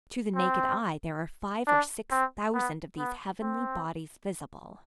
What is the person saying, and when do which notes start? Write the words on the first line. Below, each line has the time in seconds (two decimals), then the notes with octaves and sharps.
To the naked eye there are five or six thousand of these heavenly bodies visible.
0.36 C4
1.67 D4
2.11 C4
2.54 B3
2.98 B3
3.42 C4